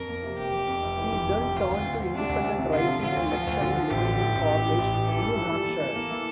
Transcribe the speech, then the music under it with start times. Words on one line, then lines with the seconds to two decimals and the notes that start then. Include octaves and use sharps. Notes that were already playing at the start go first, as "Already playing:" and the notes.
He then turned to independent writing and lecturing, living in Cornish, New Hampshire.
Already playing: F2 A#4
0.09 A#3
0.23 C3
0.38 F1 G4
0.53 F2
0.68 F2
0.82 F1
0.97 E3
1.12 F1
1.26 F2
1.41 F1
1.56 D2 F4
1.71 D2
1.84 D2
2.00 D2
2.14 C3 D4
2.29 D2
2.44 C3
2.59 C3
2.73 D3 F4
2.88 F3
3.02 D3 F4
3.17 D2
3.32 F3
3.47 D2
3.61 D3
3.76 F3
3.90 A1 G4
4.05 D3
4.20 A1
4.35 A1
4.49 A1
4.65 A1
4.78 A1
4.94 A1
5.07 E3 A4
5.23 G2
5.37 E3
5.52 G3
5.67 A#3
5.81 E3
5.95 A#3
6.10 E3